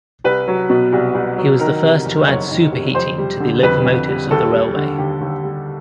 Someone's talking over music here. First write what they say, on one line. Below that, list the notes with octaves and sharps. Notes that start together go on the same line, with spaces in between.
He was the first to add superheating to the locomotives of the railway.
C2 B4
F#3
B2
C2
C2
F#3
D#3 A#4
C3
F2
F#1 C#5
D#3
C3
F2 C5
G3
D3
F2 B4
F2
G3
D#2 A4
G3
D3
D#2 G4
D#2
G3